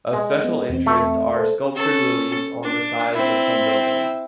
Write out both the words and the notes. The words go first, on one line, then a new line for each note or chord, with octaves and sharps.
Of special interest are sculptured reliefs on the sides of some buildings.
G#3
B3
E2 C4
A3
A4 C5
C#4 A4
D4
C4 E4